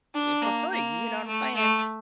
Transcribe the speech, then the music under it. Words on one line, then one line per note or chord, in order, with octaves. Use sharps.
eh, for free. You know what I'm saying?
D4
A#3
A#3
A3
A3